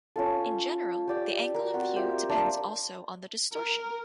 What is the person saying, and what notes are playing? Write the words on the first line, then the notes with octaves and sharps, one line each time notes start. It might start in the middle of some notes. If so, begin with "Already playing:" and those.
In general, the angle of view depends also on the distortion.
C#4 F4 A4
G4 D5 G5
A#4
C4 F#4
F4 G4 C5 E5
A#3 D4 G4 E5
A#4